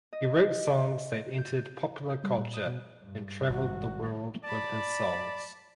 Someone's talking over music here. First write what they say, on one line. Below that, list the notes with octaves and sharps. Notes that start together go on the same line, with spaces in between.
He wrote songs that entered popular culture and traveled the world with his songs.
D#5
G6
G6
G3
A#2
D#6
B2
G2
G#1 F#4
D5 A5 B5